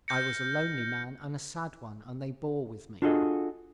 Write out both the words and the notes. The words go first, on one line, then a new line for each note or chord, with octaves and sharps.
I was a lonely man and a sad one, and they bore with me.
F6 G6 A#6 C#7
D4 F4 F#4 G#4 A4 D#5